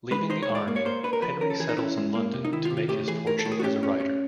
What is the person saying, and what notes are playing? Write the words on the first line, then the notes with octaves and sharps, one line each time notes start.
Leaving the army, Henry settles in London to make his fortune as a writer.
G#3 B4
D#4 C5
C#5
G#3
D5
A#3
C#5
A#3 C5
D4 B4
A#4
F3 B4
C#4 A#4
A4
E3 G#4
D#4
C#4 E4
G#3
A#3
C3
D#4
D#3 E4
F4
C3
F4
A2 G4
E3 G#4
A2 A#4
A4
A2
G#4
F#4
C#4 G4
C#4
C#4